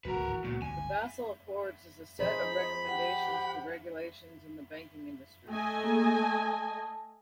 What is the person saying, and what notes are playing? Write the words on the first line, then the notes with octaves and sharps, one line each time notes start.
The Basel Accords is a set of recommendations for regulations in the banking industry.
F#1 B1 G2 F#4 A#4 B4
G#1 D2
E3
C#2 A#2 F3 B3
G1 C#2 D3 G#5
F3 D#4 G#4 C5 B5
G4 F#5 G5
A3 D#5 G#5
A#3 G#4 A4
A5